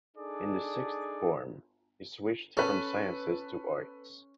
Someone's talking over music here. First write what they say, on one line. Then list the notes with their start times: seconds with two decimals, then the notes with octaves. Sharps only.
In the sixth form, he switched from sciences to arts.
0.17 D4 D#4 G#4 A4 D5
2.57 C#4 A4 B4